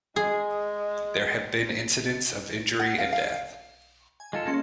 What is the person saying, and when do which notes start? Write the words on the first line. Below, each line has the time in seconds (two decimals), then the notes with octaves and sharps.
There have been incidents of injury and death.
0.16 G#3 G#4
2.80 F#5
2.98 F5
3.13 F5
3.29 F5
4.20 G#5
4.33 G#3 F4 A4
4.45 A#3 C#4 C6